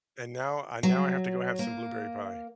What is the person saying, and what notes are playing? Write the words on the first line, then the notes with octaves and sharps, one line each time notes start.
And now, I now, I have to go have some blueberry pie.
F#3
A#3